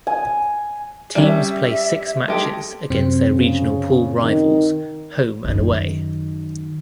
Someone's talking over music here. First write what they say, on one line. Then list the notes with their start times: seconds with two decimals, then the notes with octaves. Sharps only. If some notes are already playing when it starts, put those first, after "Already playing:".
Teams play six matches against their regional pool rivals home and away.
0.07 G#5
1.15 G3 C#4 E5
2.28 G#3 G4 A4
2.90 F#2 C3 C4
3.34 C#3
4.21 D#3
5.44 F#2 D#3